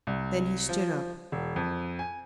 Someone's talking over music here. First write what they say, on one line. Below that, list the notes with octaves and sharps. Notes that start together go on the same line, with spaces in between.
Then he stood up.
C2
F3
E1
F2
G#5